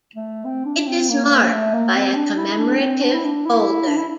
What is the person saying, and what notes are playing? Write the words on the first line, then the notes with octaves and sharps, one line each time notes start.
It is marked by a commemorative boulder.
A3
C4
D4
D4
C4
A#3
A#3
A3
A#3
C4
D4
E4
D4
C4
D4
E4
D4
E4
D4
E4